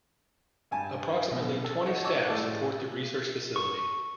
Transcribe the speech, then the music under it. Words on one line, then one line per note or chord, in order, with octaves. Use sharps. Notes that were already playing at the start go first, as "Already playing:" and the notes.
Approximately twenty staff support the research facility.
G2 G#5 A5
B1 B2
A4
D#4 F#4 C#5
D#5 A5 C#6 D6 E6
A2 G#3 A3 A4 D5 A5
C#6